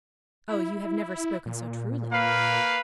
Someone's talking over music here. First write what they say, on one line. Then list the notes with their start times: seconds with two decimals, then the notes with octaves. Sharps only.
"Oh, you have never spoken so truly."
0.49 E4
1.46 A#2
2.12 A#3 B4 F5